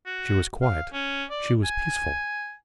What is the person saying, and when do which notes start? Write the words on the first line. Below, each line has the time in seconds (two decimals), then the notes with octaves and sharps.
She was quiet, she was peaceful.
0.06 F#4
0.62 F5
0.93 C#4
1.31 D5
1.64 G#5